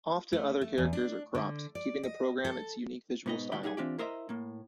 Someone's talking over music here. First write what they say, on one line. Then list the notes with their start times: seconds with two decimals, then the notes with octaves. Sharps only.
Often other characters are cropped, giving the programme its unique visual style.
0.33 A3
0.61 A3
0.78 E2
0.93 D4
1.35 D3
1.75 D5
2.03 D#5
2.45 A4
3.26 G#2 B2 B3 D#4 D#5
3.52 A2 D#3 F#4 G5 B5
3.63 D#4 G4 G#4 F#5 G#5
3.77 E3 C4 D4 F4 G4 D5
3.98 E4 A#4 C5 D#5 E5 A#5
4.29 A2 A#3